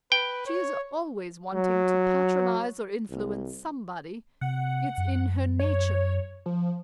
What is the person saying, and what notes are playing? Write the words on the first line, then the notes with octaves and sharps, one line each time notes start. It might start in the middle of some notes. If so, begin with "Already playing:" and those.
She is always wanting to patronize or influence somebody. It's in her nature.
B4 G5
C#5
F#3
C2
C3 F#5
F#2
C#5
F3